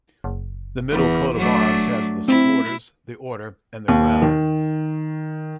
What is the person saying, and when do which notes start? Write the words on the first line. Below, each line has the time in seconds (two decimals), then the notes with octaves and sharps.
The middle coat of arms has the supporters, the order and the crown.
0.24 F#1
0.92 E2
1.38 F#3 A3 D4
2.28 C4 E4
3.88 D#2
4.22 D#3